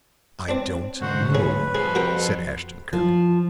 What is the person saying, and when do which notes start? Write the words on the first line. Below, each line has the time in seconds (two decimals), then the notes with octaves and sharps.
"I don't know," said Ashton-Kirk.
0.48 C4 D4
1.01 D2 G#2 F#4 C5 F#5
1.35 C#4 G#4 B4
1.75 F2 G#4 C5
1.95 F#4 A#4 G5
2.93 F3